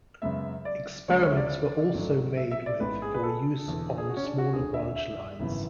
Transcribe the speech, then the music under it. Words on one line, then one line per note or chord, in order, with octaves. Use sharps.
Experiments were also made with for use on smaller branch lines.
F#2 C#3 G#3 B3 E5
D5
D2 C#3 G#3 B3 C#5
C#5
E5
D5
A1 G#2 F#3 A3
E5
E5
D5
A1 G#2 G#3 B3 B4
G#4
B4
A4
E1 E2 D3
G#4
F#4
C#4
D4
F#4
E1 D2 D3 G#4
E5
E5
G#1 F#2 C#3 E3 B3